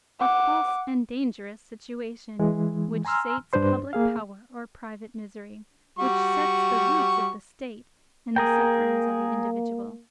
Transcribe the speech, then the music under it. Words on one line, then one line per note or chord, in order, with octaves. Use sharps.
A false and dangerous situation, which sates public power or private misery, which sets the roots of the State in the sufferings of the individual.
F#5 D6
E3 G#3
G#5 A#5 C6 E6 F6
G2 D4 B4 C5 C6
A#3 G#4 F5
G3 F#4 C#6
A#3 G#4 A#4 G5